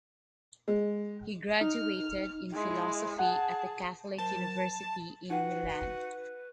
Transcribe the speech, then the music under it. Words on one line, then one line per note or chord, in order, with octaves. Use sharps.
He graduated in philosophy at The Catholic University in Milan.
G#3
D#4 F6
G#3 E4
G#4 F#5 A5
F#3 A#4 C5 A5
D#4 F#4 B4 F#5 G5